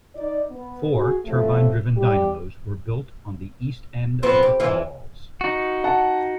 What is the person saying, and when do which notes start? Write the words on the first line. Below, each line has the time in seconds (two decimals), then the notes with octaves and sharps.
Four turbine driven dynamos were built on the east end of the falls.
0.15 D#4 D5
0.51 B3
0.93 F#4 G#4
1.25 A2 C3 E3 F3 A3
1.95 G3 G4
4.23 F3 B3 C4
4.43 G4
4.60 E3 F4
5.41 D#4 F#4
5.84 F#5 A5